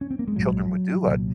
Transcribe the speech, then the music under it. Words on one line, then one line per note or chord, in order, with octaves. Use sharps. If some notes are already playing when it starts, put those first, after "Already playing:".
children would do, I'd
C#4
C4
A#3
G#3
A#1 G#2 F#3
C2 A#2